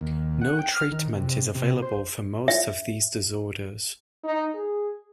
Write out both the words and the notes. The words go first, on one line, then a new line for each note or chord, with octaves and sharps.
No treatment is available for most of these disorders.
D#2
F#5
G5
F6
D#3
C3
C3
C5
E5
D#4
G#4